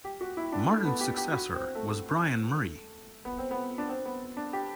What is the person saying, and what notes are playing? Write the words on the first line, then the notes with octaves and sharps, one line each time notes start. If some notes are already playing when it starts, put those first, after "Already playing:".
Martin's successor was Bryan Murray.
G4
F#4
E4
D4
A3
B3
G4
G4
F#4
C4
A3
B3
C4
B3
D4
C4
B3
D4
G4